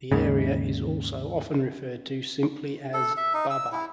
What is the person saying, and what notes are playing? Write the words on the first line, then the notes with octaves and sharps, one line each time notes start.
The area is also often referred to simply as "Baba".
D#2 G#2 C#3
A4
E5
D#4
E6
E4